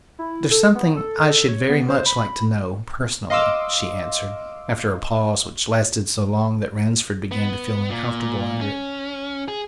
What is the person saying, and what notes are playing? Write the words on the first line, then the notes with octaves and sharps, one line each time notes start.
"There's something I should very much like to know--personally," she answered, after a pause which lasted so long that Ransford began to feel uncomfortable under it.
E4
A4
B3
A4
A4
C#5
B3
C5
B5
D#5 F5 C6 D6 E6
B3
A#2
C#4
G#4